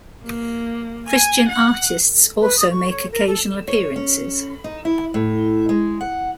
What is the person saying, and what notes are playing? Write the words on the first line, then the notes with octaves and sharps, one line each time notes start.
Christian artists also make occasional appearances.
A#3
G#5
F#5
B4
D#6
C#6
C#5
A#4
A4
C#5
C#4
D#4
E4
A2
G#3
F#5